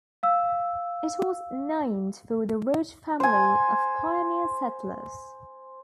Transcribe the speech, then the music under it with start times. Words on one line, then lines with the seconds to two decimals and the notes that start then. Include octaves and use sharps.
It was named for the Roach family of pioneer settlers.
0.23 F5 E6
3.20 C5 G#5